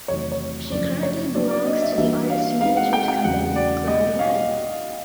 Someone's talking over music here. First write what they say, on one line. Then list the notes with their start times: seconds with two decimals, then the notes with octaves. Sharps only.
She currently belongs to the artist management company Cloud Nine.
0.08 E2 C3 D#3 F#3 A3 C#5
0.32 C#5
0.72 F#2 C#3 F3 A3 D4 D5
1.03 C#5
1.35 F#3 A#3 D4 D5
1.50 D5
1.66 D#5
1.82 E5
1.92 D#5
1.98 E3 G3 A#3 D4 F#4 E5
2.30 F5
2.61 G#3 C4 D#4 F5
2.77 F#5
2.93 G5
3.08 G5
3.24 E2 C#3 F#3 A3 F#5
3.56 D5
3.87 B2 G3 A#3 D#5
4.19 F5